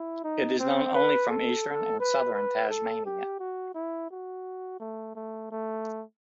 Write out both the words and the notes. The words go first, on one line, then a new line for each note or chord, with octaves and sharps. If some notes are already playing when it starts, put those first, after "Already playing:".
It is known only from eastern and southern Tasmania.
Already playing: E4
D#4
C4
B4
A4
B4
B4
A4
G4
F#4
E4
F#4
A3
A3
A3